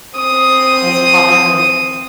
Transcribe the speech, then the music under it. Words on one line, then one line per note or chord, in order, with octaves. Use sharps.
as far as
C4 D#6